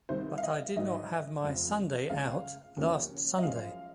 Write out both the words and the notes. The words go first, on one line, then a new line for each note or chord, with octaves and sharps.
But I did not have my Sunday out last Sunday.
C2 C3 D#3 C5
F5
D#5
G#1 G#2 F#3 D#5
F1 F2 C#3
C#2 C#3 G#3 F5
D#2 C#3 F3 A#3 C#4
D#5
F#2 F3 G#3 C#4 F5